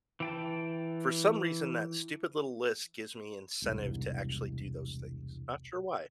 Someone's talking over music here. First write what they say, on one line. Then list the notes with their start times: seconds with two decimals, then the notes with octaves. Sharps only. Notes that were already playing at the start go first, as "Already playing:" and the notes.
for some reason, that stupid little list gives me incentive to actually do those things. Not sure why.
0.20 E3 G5 A5
3.62 E1 C2 G#2